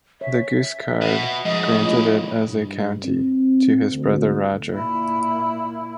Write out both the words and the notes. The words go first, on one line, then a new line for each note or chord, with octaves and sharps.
The Guiscard granted it as a county to his brother Roger.
C#5 E5
B2
G#2 C#3 F3 D#5
A3 E4 F4
G2
C4
D2
A#2 E4